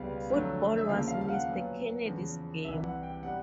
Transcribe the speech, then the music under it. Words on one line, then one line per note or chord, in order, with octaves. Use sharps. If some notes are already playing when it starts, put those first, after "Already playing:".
Football was Mr. Kennedy's game.
Already playing: C#2 B2 G3 B3 F5
F2 D3 F#3 A3
E5
D#2 C#3 F3 A#3 F5
F5
F5
F#5
A#2 F#3 B3
E2 C#3 F3
C2 C3 E3 E5
F#5
G5
B2 G3 F#5